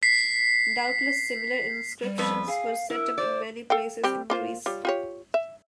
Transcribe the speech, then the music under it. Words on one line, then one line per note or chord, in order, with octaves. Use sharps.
Doubtless similar inscriptions were set up in many places in Greece.
B6 C7
G3
F2 B3 B4
G#4 F5
E4 A#4
C5 D5
A4 F5 G5
G3 C4 G4
A#3 F4 C5
G3 F4 C#5
F4 G4 C#5
E5